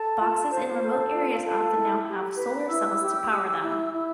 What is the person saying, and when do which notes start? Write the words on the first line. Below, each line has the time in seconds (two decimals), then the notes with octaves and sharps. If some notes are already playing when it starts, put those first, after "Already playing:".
Boxes in remote areas often now have solar cells to power them.
Already playing: A4 A5
0.20 F4
0.51 C5
0.82 A4
1.14 F4
1.44 A4
1.75 E4
2.07 G4
2.38 B4
2.69 E4 E6
3.00 G4
3.31 G4
3.61 E4
3.93 E4